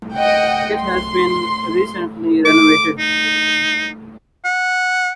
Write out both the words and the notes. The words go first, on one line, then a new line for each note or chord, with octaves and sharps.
It has been recently renovated.
D#5 F#5 G5
C6
D6
D#4
F#5